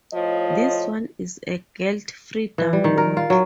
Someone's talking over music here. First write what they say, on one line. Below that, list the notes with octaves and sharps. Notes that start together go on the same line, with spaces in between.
This one is a guilt-free download.
A2 F3 F4 C#5 D#5
E3
G3
D#3
A#4
F4
F#3